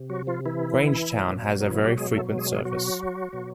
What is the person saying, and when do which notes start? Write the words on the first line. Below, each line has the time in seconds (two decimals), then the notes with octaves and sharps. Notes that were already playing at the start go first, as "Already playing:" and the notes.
Grangetown has a very frequent service.
Already playing: C3
0.10 F#3 F#4
0.27 F3 F4
0.46 E3 E4
1.18 B2 F#3
1.61 D#4
1.71 E3 E4
1.84 G3 G4
1.97 G#3 G#4
2.11 A3 A4
2.38 G#3 G#4
2.52 G#3 G#4
2.65 F#3 F#4
3.33 B2 F#3